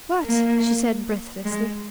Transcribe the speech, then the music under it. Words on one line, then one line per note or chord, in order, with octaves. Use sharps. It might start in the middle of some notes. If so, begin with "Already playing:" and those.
"What?" she said breathlessly.
A#3
G#3